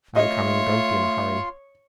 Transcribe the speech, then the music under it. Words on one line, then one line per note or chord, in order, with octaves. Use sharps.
I'm coming; don't be in a hurry.
A3 F4 C#5 D#5 C6